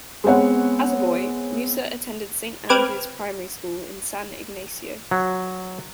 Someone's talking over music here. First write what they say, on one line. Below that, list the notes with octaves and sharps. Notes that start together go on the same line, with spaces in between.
As a boy, Musa attended Saint Andrew's Primary School in San Ignacio.
G#3 B3 C4 C#5 F#5
C4 B4 D6 F6 G#6
F#3